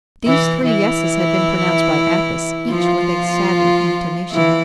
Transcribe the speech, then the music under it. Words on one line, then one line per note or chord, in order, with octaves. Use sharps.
These three yeses had been pronounced by Athos, each with a sadder intonation.
E3 E4
E3 E4
F3 F4
E3 E4